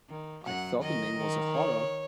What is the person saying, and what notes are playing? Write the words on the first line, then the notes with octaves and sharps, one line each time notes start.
I thought the name was a horror.
D#3
F#2 F#3 F#5
D#3 D#5
D#3
C#5